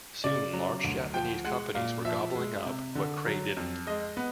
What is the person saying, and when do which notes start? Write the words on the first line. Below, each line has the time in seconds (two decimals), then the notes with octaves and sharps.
Soon large Japanese companies were gobbling up what Cray didn't.
0.24 C#3 D5
0.53 F#3
0.84 D2
1.14 F3 G5
1.44 G#3 F#5
1.75 A#2 F5
2.05 F3 E5
2.35 G#3
2.65 C3
2.95 D3
3.26 F#3
3.57 F2
3.87 G#3 D#5
4.17 B3